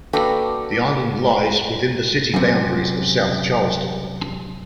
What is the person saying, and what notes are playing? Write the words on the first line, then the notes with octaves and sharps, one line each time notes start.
The island lies within the city boundaries of South Charleston.
A#3 D4 F#4 A4 B4 G5
F#2 C3